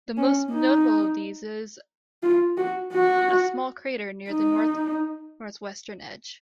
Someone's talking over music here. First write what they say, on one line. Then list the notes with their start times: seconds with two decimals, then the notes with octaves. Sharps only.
The most notable of these is a small crater near the north-northwestern edge.
0.17 C#4
0.52 D#4
2.23 F4
2.57 F#4
2.92 F#4
4.29 D#4